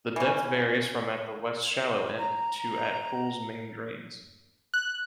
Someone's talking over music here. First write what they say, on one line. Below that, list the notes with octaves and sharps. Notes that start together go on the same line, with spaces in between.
The depth varies from at the west 'shallow' end, to at pools' main drains.
E3 C#4
A#5
F#6